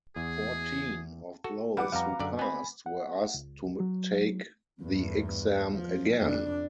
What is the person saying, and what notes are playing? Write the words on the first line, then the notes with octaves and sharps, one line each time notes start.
Fourteen of those who passed were asked to take the exam again.
E2 G#4
F#4 A4
G3 B4 F#5 D6
F2 G3 F5 A#5
F#2 D3 D5
B3 C4 G#5 B5
F#5
C#2
F#3
E2 G2
F3
F2 D4